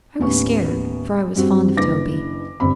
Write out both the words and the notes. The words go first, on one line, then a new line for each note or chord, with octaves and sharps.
I was scared, for I was fond of Toby.
D#2 A2 B3 C#4 C#6
G2 G3 C4 F#4
F#1 D4 E4 B4 D6 A#6
G1 G2 C4 B5